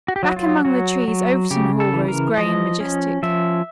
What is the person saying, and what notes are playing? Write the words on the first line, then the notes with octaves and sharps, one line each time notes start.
Back among the trees Overton Hall rose gray and majestic.
F#4
G4
F#3 F#4
F4
F#3 F#4
F#3
C#3 G4
A4
E3
A#4
F3 D#5
C#4
F3 E5